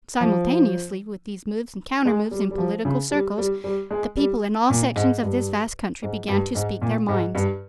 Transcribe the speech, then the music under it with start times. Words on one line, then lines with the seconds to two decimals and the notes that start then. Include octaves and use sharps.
Simultaneously with these moves and counter-moves in political circles, the people in all sections of this vast country began to speak their minds.
0.21 F3
2.05 G#3
2.31 G3
2.51 G3
2.58 F3
2.85 C#3
3.11 G3
3.38 G3
3.64 G3
3.91 G#3
4.17 G3
4.70 A#2
4.96 G#2
5.23 G2
6.02 G#2
6.28 G2
6.55 G#2
6.82 A#2
7.08 G#2
7.35 G2